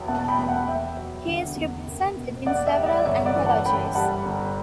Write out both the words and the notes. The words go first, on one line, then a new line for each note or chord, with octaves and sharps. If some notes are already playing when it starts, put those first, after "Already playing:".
He is represented in several anthologies.
Already playing: E2 F#3 E5 G5
B2 F#5 A5
A5
G5 B5
E2
F#5 A5
E2 E5 G5
F#3
D3
E2
F#1
B2
E2 D5 F#5
E5 G5
G3
D5 F#5
D5
G1 C#5 E5
D5 F#5
E3
F#5 A5
F#2 G5 B5
G3 F#5 A5
G1